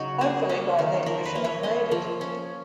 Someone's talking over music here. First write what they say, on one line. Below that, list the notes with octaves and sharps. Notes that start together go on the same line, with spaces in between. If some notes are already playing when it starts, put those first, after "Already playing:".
Hopefully, by then we shall have made it.
Already playing: C#3 F#3 D#4 F#4
A#3 G#4
C#4
D#3
F3 A#4
B4
A#3
C#5
C#4 D#5
F3
C#4